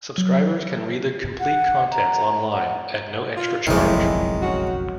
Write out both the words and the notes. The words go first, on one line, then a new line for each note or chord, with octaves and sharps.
Subscribers can read the complete contents online at no extra charge.
F#3
F#5
A#5
F#5
F4
F#1 B1 F2 D#3 G#3 A3 C#4 E4
C#4 F#4